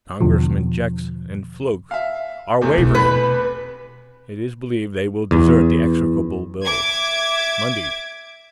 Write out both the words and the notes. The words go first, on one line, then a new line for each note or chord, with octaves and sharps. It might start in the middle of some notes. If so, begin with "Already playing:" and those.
"Congressmen Jex and Fluke are wavering; it is believed they will desert the execrable bill." MONDAY.
E2 B2 D3 F3
E5 F5
E2 C3 A3
B2 E4
B4
E2
E5 D6 G#6